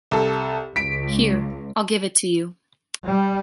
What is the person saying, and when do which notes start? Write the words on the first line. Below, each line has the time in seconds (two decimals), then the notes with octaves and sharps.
Here, I’ll give it to you.
0.11 C2 A4
0.76 C#2 B6 D7
3.04 G3